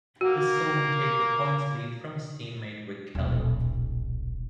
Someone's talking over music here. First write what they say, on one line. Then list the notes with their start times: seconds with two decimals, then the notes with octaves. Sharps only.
This saw him take the points lead from his team mate Rick Kelly.
0.21 A#3 F#4 F#5
3.15 D#1 B1